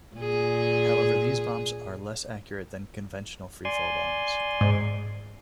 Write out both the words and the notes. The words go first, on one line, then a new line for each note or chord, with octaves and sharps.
However, these bombs are less accurate than conventional free-fall bombs.
A#2 G#4
D5 G#5 C6
G#2